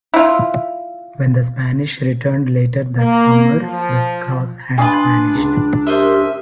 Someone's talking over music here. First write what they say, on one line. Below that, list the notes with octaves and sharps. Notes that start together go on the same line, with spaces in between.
When the Spanish returned later that summer the cross had vanished.
E4 F4
A#3
F3
D4 F4 B4 G#5 D#6
C#2
G4 A#4 C5 D#5 E5